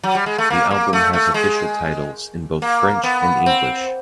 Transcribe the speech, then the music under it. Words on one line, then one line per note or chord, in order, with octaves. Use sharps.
The album has official titles in both French and English.
F#3
G3
G#3
A3
A#3
A#3
A3
A3
G#3
A#3
B3
C4